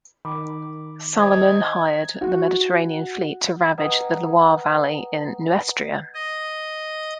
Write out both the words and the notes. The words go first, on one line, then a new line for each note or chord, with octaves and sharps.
Salomon hired the Mediterranean fleet to ravage the Loire valley in Nuestria.
D#3 B5 D6
C5 D#5 G#5 A#5 D#6 G#6
F#4
B4 D#5 F#5 G5 A#5 D#6
D#5